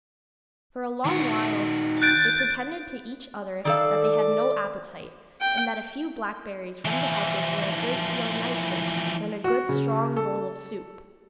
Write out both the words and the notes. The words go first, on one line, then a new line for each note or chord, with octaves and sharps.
For a long while whey pretended to each other that they had no appetite, and that a few blackberries from the hedges were a great deal nicer than a good strong bowl of soup.
D#3 F#4
F#6 G6 A6 D7
D#3 A4 D5 F5
G5
E3 F3
F#4
C#3
A4